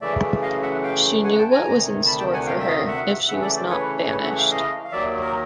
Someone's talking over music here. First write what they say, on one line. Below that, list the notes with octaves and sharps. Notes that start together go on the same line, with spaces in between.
She knew what was in store for her if she was not banished.
F#2 C#3 E3 A3 D5 E5
D#5 F5
E5 F#5
F5 G5
F#5 G#5
G5 A5
G#5 A#5
D2 C3 D#3
A5 B5
G5 A5
F#5 G#5
F5 G5
E5
D#5 F5
E5 F#5
C#3 E3 A3 E5 F#5
D5 E5
C5 D5
B4 C#5
B4 C#5
E5 F#5
F5 G5
D#5 F5
F5
D#2 D#3 F#3 D5 E5
A#4